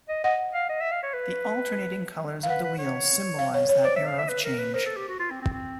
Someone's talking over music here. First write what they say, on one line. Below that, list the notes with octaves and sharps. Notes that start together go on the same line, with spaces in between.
The alternating colors of the wheel symbolize that era of change.
D#5
D#5 F#5
F5
D#5
E5
F5
C#5
B4
F5
B4 F#5
B4
C#5
F5
C#5
C#5
C5 D5
E5
F5
E5
B4
A#4
B4
A#4 C5
A4
G4
F#4
F4
C4
C4
C4